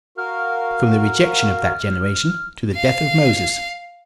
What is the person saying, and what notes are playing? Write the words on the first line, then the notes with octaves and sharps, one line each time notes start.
From The Rejection Of That Generation To The Death Of Moses.
F#4 A#4 F5 F6
F5